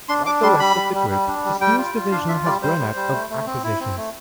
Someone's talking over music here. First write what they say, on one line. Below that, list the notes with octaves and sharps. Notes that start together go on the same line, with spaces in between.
Like the rest of the group, this newest division has grown out of acquisitions.
D4 C6
D4 D6
G3 C6
G3 B5
G3
G3
G3
D4
G3
G3 G5
F4
F4
D4 F5
F4 E5
G3 D5
G3 C5
G3
G3
A3
A3
C4
E4
C4
A3